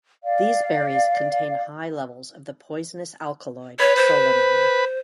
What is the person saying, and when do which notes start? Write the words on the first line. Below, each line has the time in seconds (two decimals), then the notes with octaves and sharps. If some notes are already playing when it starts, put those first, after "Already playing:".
These berries contain high levels of the poisonous alkaloid solanine.
0.23 D5 F5
3.80 B4 C#5
3.96 C5